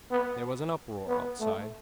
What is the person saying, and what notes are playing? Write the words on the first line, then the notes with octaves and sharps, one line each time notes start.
There was an uproar outside.
B3
B3
A3